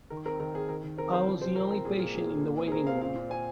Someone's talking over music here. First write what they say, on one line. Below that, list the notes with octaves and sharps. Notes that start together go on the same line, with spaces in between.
I was the only patient in the waiting room.
D#3 A#4
C4 A#4
D#3 A#4
C4 G#4
D#3 A#4
D#3
C4 A#4
C4 C5
F3
C3 C5
C3 A#4
C4 A#4
A#2 G#4
A#3
A#2 G#4
A#3
A#2
C4
G#4
C4 A#4
C4 F5
A#2 F5
A#2
C4 G#5